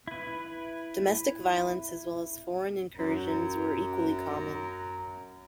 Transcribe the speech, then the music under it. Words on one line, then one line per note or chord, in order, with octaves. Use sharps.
Domestic violence as well as foreign incursions were equally common.
E4 B4
F#2 A#5